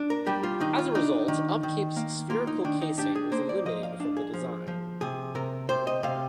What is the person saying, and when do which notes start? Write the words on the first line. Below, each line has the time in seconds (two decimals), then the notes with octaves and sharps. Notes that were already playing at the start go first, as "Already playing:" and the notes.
As a result, Upkeep's spherical casing was eliminated from the design.
Already playing: D4
0.10 A#4
0.27 G3 G4
0.43 F4
0.60 D#3 D#4
0.79 F4
0.95 D4 D#4
1.28 D#3
1.63 D#3
1.96 A#3
2.30 A#3 F4
2.47 D#4
2.64 D#3 D4
2.82 D#4
2.98 D4 G4
3.15 G#4
3.32 A#3 C5
3.49 D5
3.66 F3 D#5
3.83 F5
4.00 D4 F5
4.17 G#4
4.34 F3
4.68 F3
5.01 C3 G#4
5.35 C3 A#4
5.69 C3 C5
5.87 D#5
6.03 C3 F5